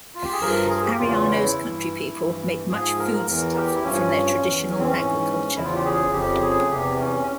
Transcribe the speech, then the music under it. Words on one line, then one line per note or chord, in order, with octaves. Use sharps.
Ariano's countrypeople make much foodstuff from their traditional agriculture.
F4
G4
G#4
G2 F3 A#4
G#4
G4
E2 C#3 E3 F4
E4
G2 E3
G2 E3
G#2 F3 G#4
A#4
E2 E3 A#4
G4
E4
G2 F3 C#4
E2 E3
C#4
C4
C#4
G#2 E3
E2 C#3 F3 E4
F4
G4
G#4
F2 C#3 F3 G4
G#4
E2 C3 E3 G4
C#4
C#4